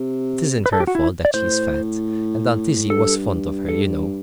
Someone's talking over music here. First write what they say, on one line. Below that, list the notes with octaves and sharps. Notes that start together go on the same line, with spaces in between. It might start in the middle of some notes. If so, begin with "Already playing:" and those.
It isn't her fault that she's fat. And Aunt Izzie was fond of her, you know.
Already playing: C3
B4
A4
G4
F#4
E4
D5
A2 C5
G2 A4
A4